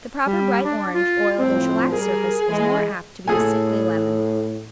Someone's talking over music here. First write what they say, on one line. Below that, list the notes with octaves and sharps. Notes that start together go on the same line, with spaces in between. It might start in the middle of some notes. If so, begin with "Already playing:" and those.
The proper bright-orange, oiled and shellacked surface is more apt to be a sickly lemon.
G3
D4
F4
A2 F3 C4
G3 G#4 A#4
E3 G#3
A2 G#4 A4 G#5